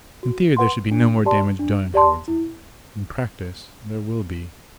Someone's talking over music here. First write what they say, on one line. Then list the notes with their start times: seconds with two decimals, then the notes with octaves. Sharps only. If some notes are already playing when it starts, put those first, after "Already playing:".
In theory there should be no more damage done at Howards End; in practice there will be.
0.23 F#4
0.57 B4 F#5 C6
0.91 D4
1.25 G4 D5 A5 C6
1.59 D4
1.94 G4 D5 A5 C6
2.28 E4